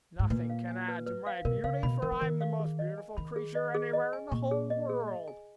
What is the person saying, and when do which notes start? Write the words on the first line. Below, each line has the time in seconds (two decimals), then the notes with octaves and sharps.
"Nothing can add to my beauty, for I'm the most beautiful creature anywhere in the whole world."
0.19 G#2
0.30 A#2 B4
0.49 F5
0.68 G#5
0.88 B4
1.06 B4
1.27 F5
1.45 B2 A#4
1.64 C#3 F5
1.83 B2 B5
2.02 D#3 A#4
2.12 F3
2.21 D#3 A#4
2.41 F5
2.60 G#4
2.79 D#5
2.98 G#5
3.17 D#3 B5
3.36 G#4
3.55 D#5
3.74 G#4
3.93 D#5
4.13 G#5
4.31 A#2 C#6
4.51 G#4
4.70 D#5
4.89 G#4
5.08 D#5
5.28 G#5